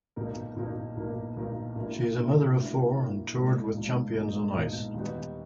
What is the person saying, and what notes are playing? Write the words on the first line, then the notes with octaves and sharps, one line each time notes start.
She is a mother of four and toured with Champions on Ice.
B1 A#2 A#3 D#4 A#4
B1 A#2 A#3 D#4 A#4
B1 A#2 A#3 D#4 A#4
B1 A#2 A#3 D#4 A#4
A#1 A#2 A#3 E4 A#4
A#1 A#2 A#3 E4 A#4
A#1 A#2 A#3 E4 A#4
A#1 A#2 A#3 E4 A#4
B1 A#2 G#3 D#4
B1 A#2 G#3 D#4
B1 A#2 G#3 D#4
B1 A#2 G#3 D#4
D#2 D#3 G3 B3 D#4